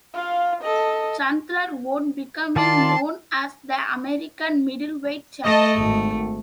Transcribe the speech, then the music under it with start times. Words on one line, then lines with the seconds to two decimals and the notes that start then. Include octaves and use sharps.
Chandler won, becoming known as the American middleweight champion.
0.14 F4 F5
0.61 A4 D#5
2.56 D#3 F4 D5 A5 C6
5.44 A3 D#5 A5
5.77 G#1